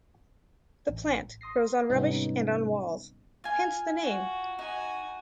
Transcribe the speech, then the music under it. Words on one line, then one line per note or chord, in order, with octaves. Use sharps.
The plant grows on rubbish and on walls, hence the name.
A1
C6 D#6 A#6 C7
G#2 C3 G3 B3 C#4 D#4
F4 G#5
F#4
D#4 F#4 G#5